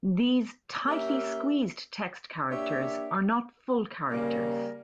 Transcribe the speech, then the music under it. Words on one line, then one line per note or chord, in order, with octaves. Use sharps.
These "tightly squeezed" text characters are not full characters.
A#3 C#4 G4 A#4 E5
A#3 D4 G4 C#5 E5
C#3 G3 A#3